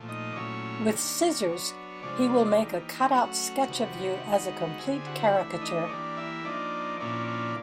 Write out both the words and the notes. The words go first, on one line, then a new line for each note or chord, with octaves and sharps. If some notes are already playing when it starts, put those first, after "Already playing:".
With scissors he will make a cutout sketch of you as a complete caricature.
Already playing: A#2 F3 A3
D#4 D#5
D5
A#2 F#3 A3 C#4 E4 C#5
D#3 G3 A#3 D4
F#3 B3 D4
C3 F3 G#3 D4 D5
E3 G3 A#3 D#4
F#3 A3 C#4 F#4 F#5
C3 D#3 G3 B3
D#3 G#3 B3 D#4
D3 G3 C4 E4 G#4 G#5
F#4 F#5
E3 A3 D4 E4 E5
D#4 D#5
C#5
E3 G3 A#3 D4 D5
E4 E5
F3 A#3 D4 D#4 D5
A#2 F3 A#3 C#4 D4 E4 D5
D4 D5